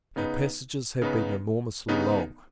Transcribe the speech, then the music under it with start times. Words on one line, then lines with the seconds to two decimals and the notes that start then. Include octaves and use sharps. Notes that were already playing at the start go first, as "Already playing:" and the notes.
Our passages have been enormously long.
0.16 C#3 B3 D#4 B4
1.02 C#3 B3 D#4 B4
1.88 C#3 B3 D#4 B4